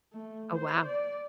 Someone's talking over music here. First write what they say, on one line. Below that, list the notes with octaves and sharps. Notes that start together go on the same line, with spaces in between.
Oh wow.
A3
C5
D5